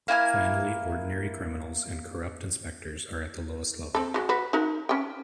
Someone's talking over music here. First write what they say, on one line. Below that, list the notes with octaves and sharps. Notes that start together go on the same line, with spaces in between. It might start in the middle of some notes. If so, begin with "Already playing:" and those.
Finally ordinary criminals and corrupt inspectors are at the lowest level.
A#3 E4 G#5 F6
C4 A4
F#3 G#3
F#4 B4
D#4 F#4 A#4
C#4 G5